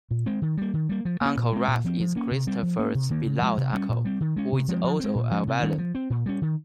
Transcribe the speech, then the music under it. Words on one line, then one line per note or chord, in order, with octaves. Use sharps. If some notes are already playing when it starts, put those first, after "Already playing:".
Uncle Ralph is Christopher's beloved uncle, who is also a villain.
A#2
G#3 C4
D#3
G3 A#3
D#3
G3 A#3
F3
A#3 C#4
A#2
G#3 C4
A#2
F3 C4
F3
A#3 C#4
C3
G3 C4
F3
A#3 C#4
C3
D#3 A#3
C#3
F3 G#3
C3
G3 C#4
A#2
G3 C4
D#3
G#3 C#4
C3
F3 G#3 C4
F3
G#3 C4
A#2
F3 G#3 C#4
C3
D#3 G3 C#4
F3
C4
A#2
G3 C#4
D#3